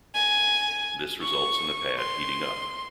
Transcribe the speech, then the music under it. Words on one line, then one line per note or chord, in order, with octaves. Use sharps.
This results in the pad heating up.
G#5
C#6
C6